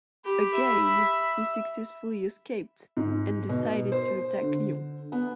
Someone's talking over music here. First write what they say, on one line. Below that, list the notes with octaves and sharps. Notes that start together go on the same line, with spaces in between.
Again, he successfully escaped, and decided to attack Lyon.
G4 B5
E5
G#2
B2
C5
D3
B3